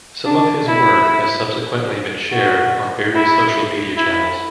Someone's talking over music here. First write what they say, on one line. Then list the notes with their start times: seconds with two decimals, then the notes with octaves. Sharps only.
Some of this work has subsequently been shared on various social media channels.
0.26 D4
0.66 E4
2.31 F#4
3.14 E4
3.97 E4